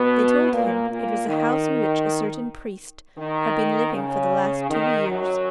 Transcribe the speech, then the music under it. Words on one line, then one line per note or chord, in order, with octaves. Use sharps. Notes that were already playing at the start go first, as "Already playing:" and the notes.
They told him it was a house in which a certain priest had been living for the last two years.
Already playing: B2 B3
A#2 A#3
A#2 A#3
D#3
D#3
C#3
D#3
F#2 F#3